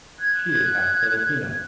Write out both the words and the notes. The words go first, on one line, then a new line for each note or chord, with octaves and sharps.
She is half Filipino.
F#6 G#6